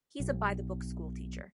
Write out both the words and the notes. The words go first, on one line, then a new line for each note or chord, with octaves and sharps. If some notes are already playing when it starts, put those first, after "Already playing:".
He's a by-the-book school teacher.
B1